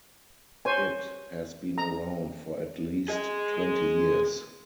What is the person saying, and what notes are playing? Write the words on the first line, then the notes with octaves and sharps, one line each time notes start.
It has been around for at least twenty years.
C5 C#5 G#5
A#5
G#4 D#5